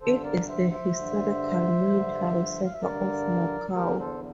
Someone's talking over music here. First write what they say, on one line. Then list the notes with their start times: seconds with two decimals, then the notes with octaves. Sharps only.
It is the historical military centre of Macau.
0.01 G2 D3 A4 C5
0.24 A#4 D5
0.48 C5 E5
0.71 C5 E5
0.94 G2 D3
1.88 G2 D3
2.65 F5
2.73 E5
2.82 G2 D3 A#4 D5
3.75 E2 D3 G4 A#4
3.99 A4 C5